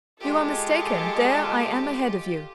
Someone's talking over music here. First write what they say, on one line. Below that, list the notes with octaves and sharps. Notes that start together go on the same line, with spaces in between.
"You are mistaken; there I am ahead of you."
G#3 F4 G4 A4